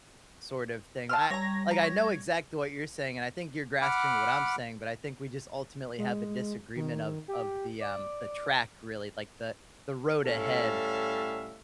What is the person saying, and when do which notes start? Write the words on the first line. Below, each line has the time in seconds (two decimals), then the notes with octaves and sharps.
sort of thing. I like, I know exactly what you're saying, and I think you're grasping what I'm saying, but I think we just ultimately have a disagreement of of the, um, the track, really, like, the the road ahead,
1.09 A5 C6 E6 F6
1.30 G3 C#5 A#5 A#6
1.71 A#5
1.83 C#5
3.82 F#5 B5 D6 F6
5.98 G#3
6.76 D#3
7.28 G4
7.80 D5
10.26 A2 G3 C#4 A4 E5 F5